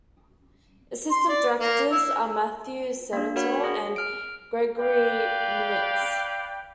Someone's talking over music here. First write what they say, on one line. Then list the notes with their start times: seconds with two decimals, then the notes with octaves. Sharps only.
Assistant directors are Matthew Sedatole and Gregory Nimtz.
1.11 C6
1.29 D5
1.60 A#3
1.91 E4
3.13 A#3 D4
3.36 F#4 A#4 C#5 F#5 B5
3.64 G#4
3.96 F6 D7
4.79 B4 D5 F5 G5